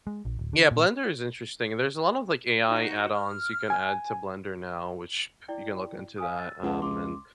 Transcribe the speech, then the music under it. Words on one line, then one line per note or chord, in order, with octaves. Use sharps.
Yeah, Blender is interesting, there's a lot of, like, AI add-ons you can add to Blender now, which you can look into that, um, and,
G#3
A#1
D1
D3
A#2
D#4 F#4
F6
G#5
E4 D5 G5
F5 G#5 D#6
E6 A6
C#2 B4 F#5 A5
C#2 C6 D6